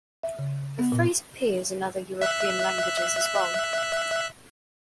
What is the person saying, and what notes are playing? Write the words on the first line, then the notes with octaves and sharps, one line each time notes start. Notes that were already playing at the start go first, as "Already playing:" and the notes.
The phrase appears in other European languages as well.
E5
C#3
B3
A#2
E5 F#6